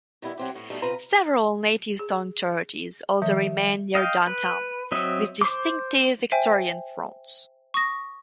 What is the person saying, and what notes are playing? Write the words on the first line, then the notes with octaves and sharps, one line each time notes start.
Several native-stone churches also remain near downtown, with distinctive Victorian fronts.
D#3 G3 B3 E4
F#3 C4 G4
A2
B2 G3 A3 D#4
C3 C4 F4 B4 A#5
G#4
D#3 F3 G3 E5
D#5 F5 G5
B4
F#3 C4 D#5 E5 E6
C5 C6 D6
C5 E5 G5 G#5
C#6 D#6 A#6